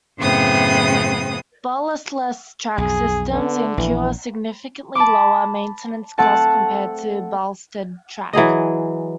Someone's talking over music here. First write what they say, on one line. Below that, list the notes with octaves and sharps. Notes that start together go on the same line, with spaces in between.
Ballastless track systems incur significantly lower maintenance costs compared to ballasted track.
F#2 A2 C#3 B3 C4 D#6
B1 F2 G#4
D3 B3
A#1 E3
A5 B5 D6
A3 C4 A4 F#5 A5
E3 F#3 G#4 D#5